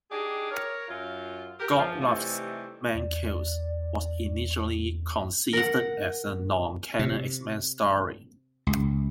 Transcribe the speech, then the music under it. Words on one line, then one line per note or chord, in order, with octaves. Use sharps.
"God Loves, Man Kills" was initially conceived as a non-canon X-Men story.
D4 D#4 G4 G#4
A#4 C#5
F#2 F4
G4 A#4
E2 F3
C3 E3 G3 A3 D#4
E2 D5
A#4 F#5
C3
C#2